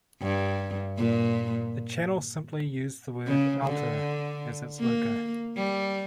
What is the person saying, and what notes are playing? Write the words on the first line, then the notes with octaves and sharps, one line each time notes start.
The channel simply used the word 'Alter' as its logo.
G2
A#2
C#3
D3
A#3
G3